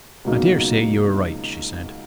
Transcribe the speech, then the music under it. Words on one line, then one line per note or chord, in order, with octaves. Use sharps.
"I daresay you are right," she said.
C#2 B2 F#3 A#3 D#4